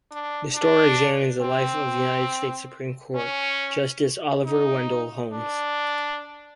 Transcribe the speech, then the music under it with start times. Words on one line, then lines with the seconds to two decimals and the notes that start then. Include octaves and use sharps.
The story examines the life of United States Supreme Court Justice Oliver Wendell Holmes.
0.11 D4
0.55 D4
1.41 C4
3.15 C#4
4.45 D#4
5.33 D4